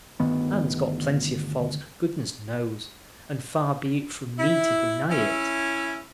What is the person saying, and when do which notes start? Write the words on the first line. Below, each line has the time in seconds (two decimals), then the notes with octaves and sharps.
Anne's got plenty of faults, goodness knows, and far be it from me to deny it.
0.20 G1 D2 D#3 B3
4.38 E4
5.10 C#4 E4